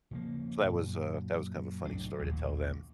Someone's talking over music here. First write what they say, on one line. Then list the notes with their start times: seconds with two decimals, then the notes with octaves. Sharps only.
So that was, uh, that was kind of a funny story to tell them.
0.11 C#3 F3 A#3
0.64 F#2 A#2 F#3
1.85 C2 A2 F#3 D4
2.19 A1 D#2 A#2